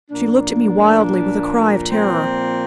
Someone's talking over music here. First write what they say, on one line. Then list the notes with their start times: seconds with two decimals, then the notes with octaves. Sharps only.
She looked at me wildly, with a cry of terror.
0.11 A#2 F3 A#3 D4
1.92 C4